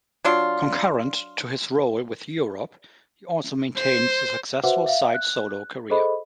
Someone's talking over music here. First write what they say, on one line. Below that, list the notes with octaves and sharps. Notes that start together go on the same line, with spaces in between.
Concurrent to his role with Europe, he also maintains a successful side solo career.
F#3 D4 F4
C5
F#4 B4 C5 E5 F#5 D6
E5 F5
F#6
G#4 A4 C5 D#5 B5